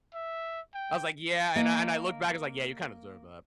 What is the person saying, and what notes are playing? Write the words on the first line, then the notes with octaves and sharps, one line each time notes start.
I was like, "Yeah," and I and I looked back, was like, "Yeah, you kinda deserve that.
E5
G5
A#3 D#5